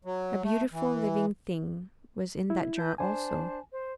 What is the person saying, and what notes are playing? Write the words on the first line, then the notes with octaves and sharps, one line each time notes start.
A beautiful, living thing was in that jar also.
F#3
A3
E3
E4
B4 A5 G6
D4 C5 G#5 A5
C5